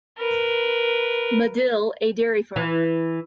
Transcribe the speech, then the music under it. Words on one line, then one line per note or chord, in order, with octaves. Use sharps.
Madill, a dairy farmer.
A#4 B4
E3